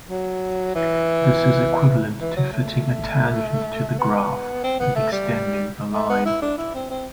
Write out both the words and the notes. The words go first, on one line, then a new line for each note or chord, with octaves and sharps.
This is equivalent to fitting a tangent to the graph and extending the line.
F#3
E3
E3
F#3
A3
B3
C4
B3
A3
G3
A3
B3
E4
D4
E4
C4
C4